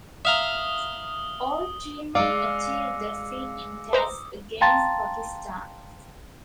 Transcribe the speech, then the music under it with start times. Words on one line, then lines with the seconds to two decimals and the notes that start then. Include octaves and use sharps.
All three men achieved the feat in Tests against Pakistan.
0.25 E5 F5 A#5 D#6 G7
2.15 G#3 D5 F5 D6 E6 C#7
3.93 B4 C5 A#5 D#6
4.61 F5 G5 A5 A#5 C6 A6